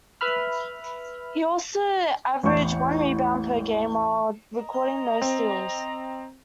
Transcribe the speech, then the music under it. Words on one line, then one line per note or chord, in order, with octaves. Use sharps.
He also averaged one rebound per game while recording no steals.
B4 E5 B5 F6
A1 E2 E4 C#6 G6
D#5 A#5
C4